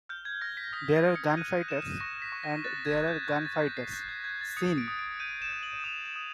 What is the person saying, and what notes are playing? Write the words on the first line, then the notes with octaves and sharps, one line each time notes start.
There are gun fighters and there are gun fighters, seen?
F6 G6
G#6
F6 A#6
B6
D#6 A#6
B6
D#6
C#7
F#6 D#7
F#6 E7
C#6 A#6
B6
C#6
A#6
F#6 A6
G#6
F#6
G6
C#6 G#6
A6
C#6 B6
C7
F#6 A#6
G#6
F#6 G#6
A6
D#6 C#7
D7
D#6
D7
G6 D#7
E7
G6
F#7
D#6 F7
E7
D#6